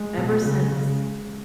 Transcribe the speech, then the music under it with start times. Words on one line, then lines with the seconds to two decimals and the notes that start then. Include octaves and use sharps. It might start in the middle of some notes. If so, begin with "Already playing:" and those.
ever since
Already playing: G#3
0.18 B2
0.32 G#3
0.45 C#3
0.72 C#3 G#3